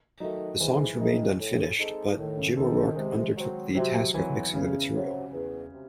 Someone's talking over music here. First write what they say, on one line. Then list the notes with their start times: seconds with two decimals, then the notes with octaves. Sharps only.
The songs remained unfinished, but Jim O'Rourke undertook the task of mixing the material.
0.20 D#3 F#3 A3 D#4
0.59 G#2 E3
0.99 D#3 A3 D#4
1.39 A2
1.78 G#3 C4 D#4 A4
2.17 A2 D#3
2.37 C#3
2.56 D#3 G#3 C4 D#4 A4
2.77 D#3
2.96 C3 G#3
3.36 F#3 C4
3.75 C3 F#3
4.14 E3 F#3 C4
4.54 E2 C#3
4.94 C3 F#3
5.33 E2
5.72 C3